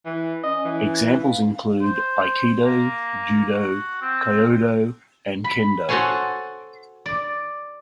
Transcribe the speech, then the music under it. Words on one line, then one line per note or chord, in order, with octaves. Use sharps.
Examples include aikido, judo, kyudo, and kendo.
E3
C#4 D#5
E3
F5
C5
A#3
F#4
C4
B5
F#4 A4 C5 C#5 G#5
D5